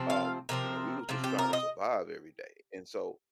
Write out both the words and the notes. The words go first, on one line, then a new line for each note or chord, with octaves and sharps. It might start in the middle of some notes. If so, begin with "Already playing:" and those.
um, you know, we was just trying to survive every day. And so,
Already playing: C3 F3 C4
F5
C3 F3 C4 A#4
C3 F3 C4
G4
A#4
D#5